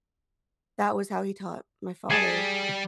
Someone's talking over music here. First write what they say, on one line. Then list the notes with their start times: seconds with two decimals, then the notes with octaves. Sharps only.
that was how he taught my father
2.11 G3 G#4 G#5 A5